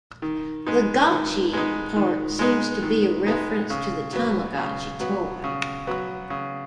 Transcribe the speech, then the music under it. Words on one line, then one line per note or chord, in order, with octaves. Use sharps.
The "gotchi" part seems to be a reference to the Tamagotchi toy.
D#3
G#3 B3 D#4
D#3
G#3 B3 D#4
D#3
G#3 B3 D#4
D#3
G#3 B3 D#4
C#3
F#3 B3
C#3
F#3 B3
C#3
F#3 B3
C#3